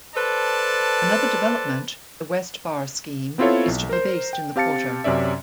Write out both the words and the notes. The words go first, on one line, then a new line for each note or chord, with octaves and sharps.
Another development, the West Bar scheme is to be based in the quarter.
A4 B4 C5 D5 A5
B3 C4 E4 F4 A4 C#5
B1
A#4 C5
G5
C4 G4 F5 A5 A6 C#7
F#2 C3 C#4 D5 E5